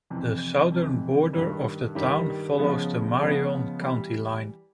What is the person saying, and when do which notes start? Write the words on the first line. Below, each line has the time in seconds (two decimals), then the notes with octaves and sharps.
The southern border of the town follows the Marion County line.
0.10 F2 C3 E3
0.72 F2 C3 E3
1.33 G2 D#3 G3
1.95 G2 D#3 G3
2.57 C#3 F3 G#3 B3
3.18 C#3 F3 G#3 B3
3.81 E3 G3